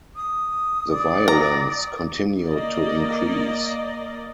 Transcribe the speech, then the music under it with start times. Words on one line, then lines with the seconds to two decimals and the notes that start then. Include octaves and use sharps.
The violence continued to increase.
0.16 D#6
0.90 D5
1.28 A#5
2.45 A#3 D5 D#5